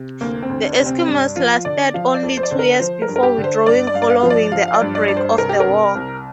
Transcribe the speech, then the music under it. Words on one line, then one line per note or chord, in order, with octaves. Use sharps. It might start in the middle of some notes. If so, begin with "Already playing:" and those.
The Eskimos lasted only two years before withdrawing following the outbreak of the war.
Already playing: C3
D2 A#3
C4
D2
D4
C3
C4
C4
G2 D4
F3 F4
D3 D5
F3 F5
D5
F2
C5
D5
D3 C5
A#4
F3 C5
A#4
G2
A#4
G4
D3
C5
G2 D5
D5
G2 F5
D5
F5
F3
D5
F3 F5
F5
D5
G2
D5
G2 D5
C5
C2 A#4
G4
A#4
C3
C2